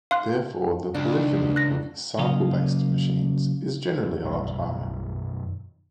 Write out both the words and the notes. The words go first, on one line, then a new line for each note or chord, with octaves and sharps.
Therefore the polyphony of sample-based machines is generally a lot higher.
F5 C6 F#6
C#2 D4
F#6 A#6
C#3 F#3 A#3 D#5 F5
F#2 B2 D#3 G3